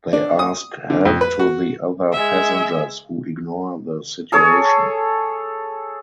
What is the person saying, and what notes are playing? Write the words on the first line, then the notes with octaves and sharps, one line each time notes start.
They ask help to the other passengers who ignore the situation.
D4
D#6
D3
F2
B4
F#4
G#3 E5
G#4 A4 C#5